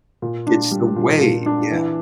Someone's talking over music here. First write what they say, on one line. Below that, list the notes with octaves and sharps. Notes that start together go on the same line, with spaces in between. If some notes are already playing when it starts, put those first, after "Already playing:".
it's the way, yeah.
A#2
D4
G3
A#2
A#2
D4
E3